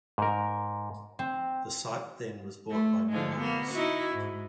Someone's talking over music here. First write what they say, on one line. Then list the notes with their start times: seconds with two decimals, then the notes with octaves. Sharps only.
The site then was bought by new owners.
0.18 G#2 A#4
1.19 C4
2.71 A3
3.09 D3 F3 G#3
3.38 A#3 B3
3.71 D#4 E4 F#4
4.15 G#2